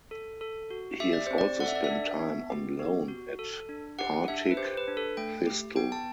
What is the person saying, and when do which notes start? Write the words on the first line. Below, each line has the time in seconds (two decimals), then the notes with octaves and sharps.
He has also spent time on loan at Partick Thistle.
0.11 A4
0.41 A4
0.70 F#4
1.00 G4 E5
1.13 D5
1.27 C4 C5
1.38 D5
1.60 A4 F#5
1.68 E5
1.75 D5
1.84 E5
1.90 D4
2.19 B3
2.50 G4
2.79 B3
3.08 F#4
3.39 A4
3.69 D4
3.99 G4 F#5
4.28 D4 E5
4.51 B4
4.57 G4 C5
4.77 B4
4.88 D4
4.97 A4
5.17 A3 G5
5.47 G4
5.76 B3 G5
5.92 A5